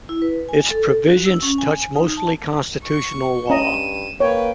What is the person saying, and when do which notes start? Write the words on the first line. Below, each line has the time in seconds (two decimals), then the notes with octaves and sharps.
Its provisions touch mostly constitutional law.
0.09 E4
0.22 B4
0.49 G#5
0.70 A4
1.07 F#4
1.25 E6
1.42 C#4
1.58 G#5
1.96 D#4
2.17 A5
2.85 C#6
3.50 G2 C#4 D#5 A#5 D#7 E7
4.20 A#3 B4 C#5 G5